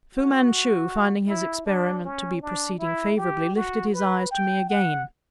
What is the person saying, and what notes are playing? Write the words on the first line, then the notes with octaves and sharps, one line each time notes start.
Fu-Manchu, finding his experiment to be proceeding favorably, lifted his eyes to me again.
F#4
E4
D4
C#4
D4
E4
G4
F#4
B4
G5
F#5